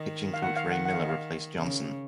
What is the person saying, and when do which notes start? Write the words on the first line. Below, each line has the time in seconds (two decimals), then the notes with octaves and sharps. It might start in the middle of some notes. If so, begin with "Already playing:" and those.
Pitching coach Ray Miller replaced Johnson.
Already playing: D#3 D#5
0.34 F5
0.42 F#5
0.56 F5
0.71 F#5
0.85 F#5
0.93 F5
1.02 D#5
1.09 F5
1.59 C#3